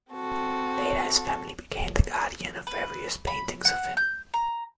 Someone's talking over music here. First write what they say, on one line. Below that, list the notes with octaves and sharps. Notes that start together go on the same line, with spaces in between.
Later his family became the guardian of various paintings of him.
C4 F#4 A4
B4
B5
F#5
G6
A#5